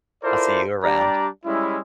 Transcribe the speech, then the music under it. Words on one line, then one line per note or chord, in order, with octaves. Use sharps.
I'll see you around.
E4 F4 A4 A#4 C5 D5
G3 D4 G4 D5 A#5
G3 G#3 C#4 E4